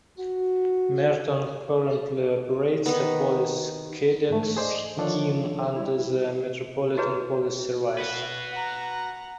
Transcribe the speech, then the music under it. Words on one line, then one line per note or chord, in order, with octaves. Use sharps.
Merton currently operates a Police Cadet scheme under the Metropolitan Police Service.
F#4
D#3 B3
G#2 E3 A3
G#4 C5 D5 D#5
D3 D#3 F3 D4 A4 C#5
G3 E4
E4 F#4 G#4 B4 C#5 A#5
F#4 B4
F#5 A#5